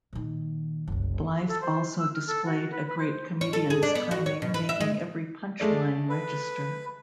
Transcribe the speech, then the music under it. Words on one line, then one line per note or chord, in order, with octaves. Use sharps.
Blythe also displayed a great comedian's timing making every punch line register.
A#2 D#3
F#1 C2
A4
C5
E6
F6
A4
F#4
B4
B4
C5
C#5
A4
G#4
D4
B3
F#4
C#5
B2
B4
E5
G#3
G#3 A3 D5
B4